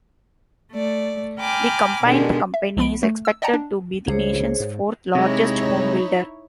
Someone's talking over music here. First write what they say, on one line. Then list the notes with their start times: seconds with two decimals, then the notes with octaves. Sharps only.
The combined company is expected to be the nation's fourth largest home builder.
0.72 A3 D5
1.39 G5 G#5 A#5 B5 D6 F6
2.03 B2 D3 D#3 G#3 D4 G4
2.54 E5
2.77 C2 F3 B3 B5 D7
3.03 A3
3.25 E6
3.42 D5 D#5 F#5 G5 A5 A#5
3.54 D4
4.07 C#2 C#3 G#4 C5 C#5
4.60 G#2
5.15 C3 G#3 D#4 E4 C#5